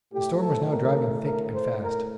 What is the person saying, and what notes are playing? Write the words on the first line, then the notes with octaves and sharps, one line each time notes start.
The storm was now driving thick and fast.
A2 A3 G4
A4
A#4
A#4
C5
A#4